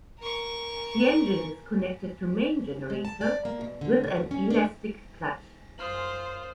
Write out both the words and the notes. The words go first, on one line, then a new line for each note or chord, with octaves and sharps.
The engine is connected to main generator with an elastic clutch.
A#4 C#6
G#3
A5
D5
A#3
B2
D3
B2
D#2
C#4
D4
F#2 F4 C5 D#6 F6 F#7